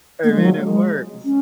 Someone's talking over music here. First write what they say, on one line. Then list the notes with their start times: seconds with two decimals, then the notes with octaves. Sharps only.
I mean, it works.
0.24 A#3
0.29 G#3
0.38 F3
0.45 F#3
0.61 G#3
1.25 C#4